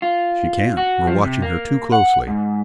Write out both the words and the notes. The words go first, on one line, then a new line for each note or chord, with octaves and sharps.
"She can't--we're watching her too closely."
F4
F#4
F3
C3
A#3
F#5
G#2